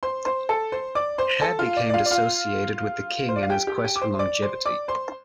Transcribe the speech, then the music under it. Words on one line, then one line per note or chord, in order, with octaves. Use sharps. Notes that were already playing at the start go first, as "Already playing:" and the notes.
Heh became associated with the King and his quest for longevity.
C5 C6
C5 C6
A4 A5
C5 C6
D5 D6
C5 C6
A4 A5
F4 F5
D5
D5
F4 F5
D5
F4 F5
C5
D5
F5
G4 G5
G4 G5
G4 G5
D6
C5 C6
D5 D6
C5 C6
D5 D6
C5 C6